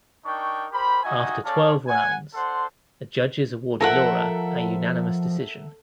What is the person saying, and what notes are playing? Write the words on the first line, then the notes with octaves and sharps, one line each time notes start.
After twelve rounds, the judges awarded Lora a unanimous decision.
D4 D#4 A#4 G5 C#6
G4 A#4 C5 B5
G3 D#4 F#4 D#5 E5 G#5
C#4 A4 C#5 D5 F5 A5
F#5 G#5
D4 A4 C5 F#5 C6
F3 A4 A#4 E5 F#5